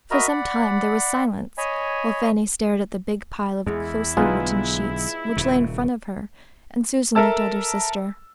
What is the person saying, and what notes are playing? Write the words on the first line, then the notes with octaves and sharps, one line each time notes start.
For some time there was silence while Fanny stared at the big pile of closely written sheets which lay in front of her and Susan looked at her sister.
F#4 A#4 D#5 E5 A#5 B5
D5 F#5 B5
C#5 D#5 G#5 B5
E2 G#3 E4
B1 D3 G#3 B3 D#4 F4 G#4
D#1 C#3
A4 A#4 E5 A5 E6